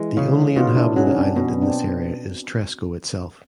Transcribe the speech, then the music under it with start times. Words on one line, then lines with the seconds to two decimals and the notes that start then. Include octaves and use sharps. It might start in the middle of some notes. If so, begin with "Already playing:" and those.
The only inhabited island in this area is Tresco itself.
Already playing: E3 G#3
0.17 C#3
0.56 B2 D#4 F4
0.76 D4 E4
0.96 F#3 C#4 D#4
1.07 C#4
1.16 C4 D4
1.36 B2 B3 C#4
1.62 C4 D4